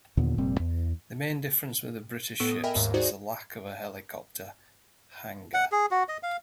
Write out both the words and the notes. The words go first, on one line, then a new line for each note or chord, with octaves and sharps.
The main difference with the British ships is the lack of a helicopter hangar.
D#2 A#2 D3 B3
F1 A#2 G3 C4
E2
A2 B3 A4 F#5 C#6 E6
D#6
A#4 D#5 E5 G5 G#5 B5
D#2 G#2
D#4 F#4 G#4 C5 D5
F#5
G#4
F#4
D#5
F5